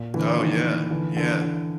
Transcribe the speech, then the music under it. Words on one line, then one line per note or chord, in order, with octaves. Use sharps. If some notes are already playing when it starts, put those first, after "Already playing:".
Oh, yeah, yeah.
Already playing: A#2
D3 E3
D#3 F3
D3 E3
D3 E3
D3 E3